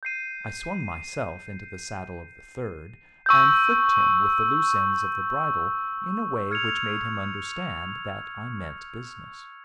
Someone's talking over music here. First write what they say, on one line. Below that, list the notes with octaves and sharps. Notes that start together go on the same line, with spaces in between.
I swung myself into the saddle of the third, and flicked him with the loose ends of the bridle in a way which made him understand that I meant business.
G6 C7 D#7
C#6 E6 G6
F6 G#6 C#7 F7